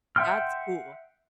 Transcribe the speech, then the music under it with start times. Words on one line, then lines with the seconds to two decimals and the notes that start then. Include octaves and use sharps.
That's cool.
0.16 E5 F#5 G5 C6 F6